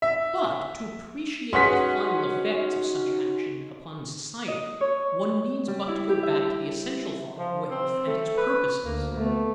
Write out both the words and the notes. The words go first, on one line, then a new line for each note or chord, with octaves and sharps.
But, to appreciate the final effects of such action upon society, one needs but to go back to the essential thought of wealth and its purposes.
E5
C#4 D#4 F#4 G#4 B4 F#5 C6 B6
D#5
C#5
G3
E4
G4
E5
F3
C4
A3
B4
D2 A#3
A3 B3